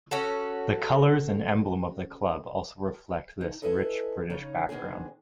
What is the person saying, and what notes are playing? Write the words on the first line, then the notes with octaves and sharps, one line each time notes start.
The colours and emblem of the club also reflect this rich British background.
C#4 F#4 A4
D#4
E4 G#4 A4 B4 D#5
C#3 D#4 C#5 A#5
B2 D#3 C4 D4 G#4